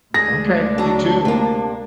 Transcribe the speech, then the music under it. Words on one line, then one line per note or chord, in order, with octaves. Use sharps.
Okay, you, too.
D2 G#3 D4 G#4 A#6
F#3 A5 A#5
C3 A#3